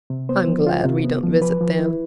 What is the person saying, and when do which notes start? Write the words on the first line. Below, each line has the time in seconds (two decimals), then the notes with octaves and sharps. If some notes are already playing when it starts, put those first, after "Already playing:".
I'm glad we don't visit them.
0.10 C3
0.29 B3 C5
0.48 F3
0.67 F4
0.85 C3
1.04 B3
1.23 F3
1.41 F3 B4
1.61 F3
1.79 E4